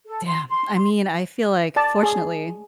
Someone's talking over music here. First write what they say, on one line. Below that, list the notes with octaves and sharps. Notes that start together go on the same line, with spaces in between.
Damn, I mean, I feel like, fortunately
A4
C6
C6
C6
D5 A5
G#4